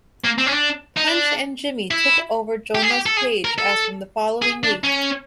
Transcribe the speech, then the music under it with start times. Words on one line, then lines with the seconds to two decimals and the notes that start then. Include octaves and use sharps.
Punch and Jimmy took over Jonah's page as from the following week.
0.24 A#3
0.38 C4
0.46 C#4
0.51 D4
0.97 D#4
1.07 D4
1.91 E4
2.75 G4
2.82 G#4
2.90 G4
3.06 A4
3.17 G#4
3.45 A#4
3.58 A4
4.42 G#4
4.64 D4
4.84 C#4